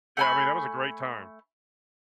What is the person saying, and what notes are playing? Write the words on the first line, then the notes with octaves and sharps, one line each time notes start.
Yeah, I mean, that was a great time.
A3 G#5 B5